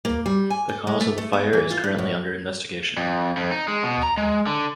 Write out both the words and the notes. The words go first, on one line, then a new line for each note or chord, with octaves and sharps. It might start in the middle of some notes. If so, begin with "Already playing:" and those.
The cause of the fire is currently under investigation.
A#3
G3
G#5
A4
G#3
A3
A3
B3
E3
F4
G2
F#2
F2
F2
D#4
G#3
B2
A#5
G#3
D3